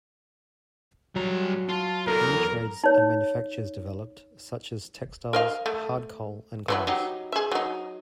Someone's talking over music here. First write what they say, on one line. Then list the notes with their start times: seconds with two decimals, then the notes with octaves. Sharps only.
New trades and manufactures developed, such as textiles, hard coal and glass.
1.16 G2 F#3 A#5
1.69 F4 A5
2.07 E2 E3 A4 A#4
2.84 D#4 C#5
5.33 A#4 D#5 F5
5.66 A3
6.68 E3 F#3 B4
6.87 F#3 D#4 G4
7.32 G#4 E5
7.52 F#3 D#4